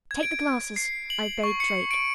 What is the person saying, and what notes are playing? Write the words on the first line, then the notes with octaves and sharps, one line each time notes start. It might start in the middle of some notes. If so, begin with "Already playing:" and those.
"Take the glasses," I bade Drake.
G#6
D7
C7
F#7
C#6
C#7
D7